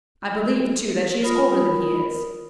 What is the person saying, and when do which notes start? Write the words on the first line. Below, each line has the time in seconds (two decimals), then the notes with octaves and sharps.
I believe, too, that she is older than he is.
1.23 F4 A#4 B5 D#6